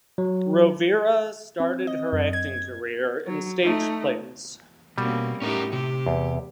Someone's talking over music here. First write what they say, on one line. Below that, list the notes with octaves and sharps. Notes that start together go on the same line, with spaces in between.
Rovira started her acting career in stage plays.
F#3
C4
D#5
F#2
G#6
F#3
A3 D#4
B2 G3 A#3 C4 C#4
A2 C#4 D#4 G4 A#4
C3 G4
E2